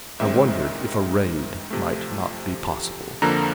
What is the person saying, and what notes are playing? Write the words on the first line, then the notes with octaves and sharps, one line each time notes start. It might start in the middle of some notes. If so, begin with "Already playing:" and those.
I wondered if a raid might not be possible.
G#2 D#3 G#3 C4 E5
C3 F3 A3
F2 D3 F3 A#3 A#5